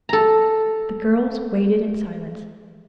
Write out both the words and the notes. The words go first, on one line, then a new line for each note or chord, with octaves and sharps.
The girls waited in silence.
A4 A#5